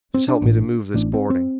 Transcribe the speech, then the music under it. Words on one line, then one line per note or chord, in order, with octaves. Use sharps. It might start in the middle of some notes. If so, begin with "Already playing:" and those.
"Just help me to move this boarding."
C4
D4
A1 A2
A1 A2 D4
C4
C4